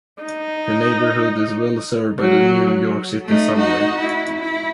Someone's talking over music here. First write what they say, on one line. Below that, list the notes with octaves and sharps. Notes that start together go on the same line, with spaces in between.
The neighborhood is well-served by the New York City Subway.
D#4
F#3
A3 D#4
D#4 F#4
E4
E4